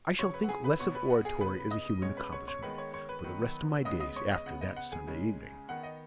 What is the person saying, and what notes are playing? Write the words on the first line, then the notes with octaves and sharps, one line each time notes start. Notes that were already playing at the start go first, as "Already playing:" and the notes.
I shall think less of oratory as a human accomplishment, for the rest of my days, after that Sunday evening.
C#3 F#3 C#4 C#5 C#6
B4 B5
F#5
G#4 G#5
B4 B5
B2 B3 C#5 C#6
B4 B5
F#5
G#4 G#5
C#3 B3 B4 B5
D#5 D#6
B2 G#3 C#4 C#5 C#6
B4 B5
C#5 C#6
C#5 C#6
D#3 G#3 B3 B4 B5
C#5 C#6
C#5 C#6
B4 B5
D#3 F#3 B3
C#3 G#3 B3 D#5 D#6
D#5 D#6
C#5 C#6
D#5 D#6
C#3 B3 F#5
D#5
F#5
G#4 G#5
C#3 G#3 C#4
D#3 B3 F#5
D#5